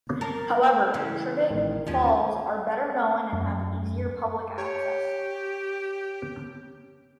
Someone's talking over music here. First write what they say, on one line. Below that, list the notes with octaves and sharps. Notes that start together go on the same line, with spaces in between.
However, the Triberg Falls are better known and have easier public access.
A#4 A5
C#3 E3
A1 D#3 G#3
D#2 F3 C#4
F#2
G4 C#5